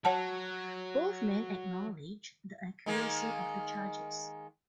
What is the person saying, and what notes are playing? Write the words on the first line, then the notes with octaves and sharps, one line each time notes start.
Both men acknowledged the accuracy of the charges.
F#3 C#5 F#5 A5
D#3 G#3 A#3